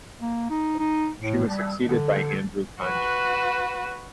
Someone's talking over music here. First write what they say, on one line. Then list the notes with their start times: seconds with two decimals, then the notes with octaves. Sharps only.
She was succeeded by Andrew Kania.
0.20 A#3
0.50 D#4
0.79 D#4
1.19 A2
1.48 G3
1.88 D3
2.82 F#4 B4